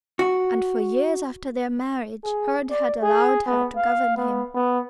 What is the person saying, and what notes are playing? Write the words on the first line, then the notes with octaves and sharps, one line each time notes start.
And for years after their marriage Hurd had allowed her to govern him.
F#4
G#4
D5
G#4
B3
F5
B3
B3